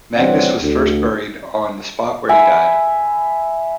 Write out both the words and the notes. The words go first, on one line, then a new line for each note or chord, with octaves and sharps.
Magnus was first buried on the spot where he died.
G1 E3 C4 C#5 D5 F#5
D2
E5 G#5 B5